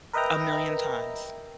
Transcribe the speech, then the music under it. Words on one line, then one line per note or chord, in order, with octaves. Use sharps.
A million times.
A#4 B4 D#5 E5 G5 A#5